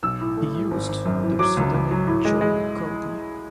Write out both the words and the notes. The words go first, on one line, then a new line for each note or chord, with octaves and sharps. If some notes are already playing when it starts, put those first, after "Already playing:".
He used the pseudonym John Courtney.
B1 E6
A2
A3
A2
G#1
G#1
F#2
E3
F#3 D6
C#2
C#2
F#3
A2
G#3
G#3